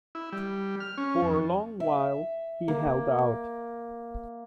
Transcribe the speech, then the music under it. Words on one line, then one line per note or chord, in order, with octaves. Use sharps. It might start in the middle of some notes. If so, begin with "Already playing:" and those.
For a long while he held out.
E4
G3
F6
C#4
F2
E5
A#3